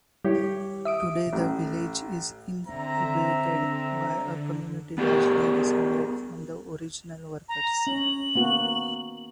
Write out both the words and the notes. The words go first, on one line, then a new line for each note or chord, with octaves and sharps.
Today the village is inhabited by a community largely descended from the original workers.
G3 E4 G4 C#5
E5 D#6 D7
A1
D3 C4 E5 A#5
B3 D4 G4 G#4 A#4
A#5
C#4 F#7
A#3 B3 F#4